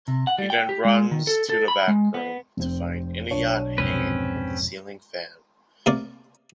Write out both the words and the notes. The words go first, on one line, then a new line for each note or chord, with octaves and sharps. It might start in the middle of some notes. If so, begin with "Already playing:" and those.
He then runs to the backroom to find Inayat hanging from the ceiling fan.
C3
F#5
G3
G5
G4
G#3
D#3
A4
A4
B5
G#3
B3
F1 C4
B1 D4 C#5
F2 G#2 C3 C4 C#4 B4
C3 A#3 A#4 D5